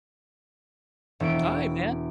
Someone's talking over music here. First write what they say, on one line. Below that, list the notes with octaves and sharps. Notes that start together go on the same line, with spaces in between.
Aight, man.
E1 E4 D7